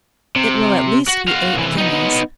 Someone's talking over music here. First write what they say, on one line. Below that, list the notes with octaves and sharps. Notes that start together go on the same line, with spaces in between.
It will at least be eight guineas.
C3
F#4
F#4 F5
C2 E3
B3 D#4